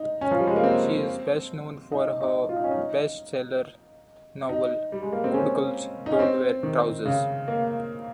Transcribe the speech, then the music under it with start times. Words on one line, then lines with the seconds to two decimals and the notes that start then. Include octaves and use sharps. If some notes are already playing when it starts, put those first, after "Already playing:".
She is best known for her best seller novel "Good girls don't wear trousers".
Already playing: D#4
0.21 C#4
0.31 F3
0.39 G3
0.47 G#3
0.56 A#3
0.64 C4
1.92 D#4
2.21 D#4
2.49 F4
2.56 D#4
2.64 C#4
2.71 D#4
4.49 D#4
4.92 G3
5.03 G#3
5.12 A#3
5.24 C4
5.34 C#4
6.06 D#4
6.12 C#4
6.19 C4
6.63 D#3
7.05 C#3
7.48 A#3